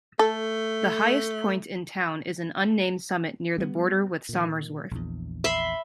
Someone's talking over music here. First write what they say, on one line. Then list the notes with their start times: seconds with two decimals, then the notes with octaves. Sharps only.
The highest point in town is an unnamed summit near the border with Somersworth.
0.19 A3 A4
3.58 G3 A3 B3
4.29 A#2 D#3
4.91 A#1 E2
5.44 E5 B5 C6